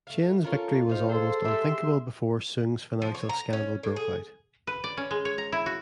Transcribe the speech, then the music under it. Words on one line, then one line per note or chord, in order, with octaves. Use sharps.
Chen's victory was almost unthinkable before Soong's financial scandal broke out.
A3 F5
C#4 F4 A4 A#4
D#4 C5 F5
G#4 A4 C5 C6
G#3 G4 E5
F3
C#5
A#5
C#4
A2
G#4
B4
D5
C#4
G#3
C#5
A#5
E4
F#4